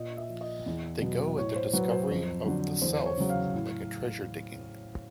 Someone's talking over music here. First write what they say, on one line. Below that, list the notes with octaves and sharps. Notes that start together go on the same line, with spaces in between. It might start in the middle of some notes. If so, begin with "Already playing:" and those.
They go at the discovery of the self like a treasure-digging.
Already playing: A#2 D#5
E5
F3
D#5
E2
B2 F#3
A2 C#5
C5
F#3 B4
C5
F2
D3 F#3
E2 C5
C5
C#5
C#3 F#3
F5
A2